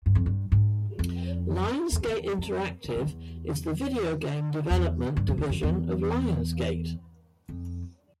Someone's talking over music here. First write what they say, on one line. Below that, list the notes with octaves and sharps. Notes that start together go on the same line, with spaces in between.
Lionsgate Interactive is the video game development division of Lionsgate.
G2
F2
G2
G#2
F2
E2
E2
F2
E2
F2
E2
E2
G2
F2
E2
F2
E2
F2